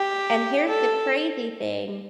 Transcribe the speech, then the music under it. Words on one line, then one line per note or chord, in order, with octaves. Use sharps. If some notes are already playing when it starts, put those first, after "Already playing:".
and here's the crazy thing,
Already playing: G4
A4